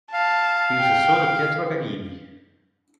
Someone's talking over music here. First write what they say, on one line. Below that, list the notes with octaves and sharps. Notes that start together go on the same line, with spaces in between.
He was the son of Pietro Gagini.
F5 A5
G5